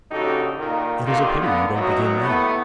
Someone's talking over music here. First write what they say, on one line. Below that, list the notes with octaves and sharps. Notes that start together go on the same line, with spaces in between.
'It is a pity you don't begin now.
A#1 C#3 D#4 F#4 G4 A4
A#2 D#3
A#2 D3 D#3 A#3 F4 G4
D3 A#3 B3
F#2 B2 D#3 E3 F#3
D#2 A2 A3 B3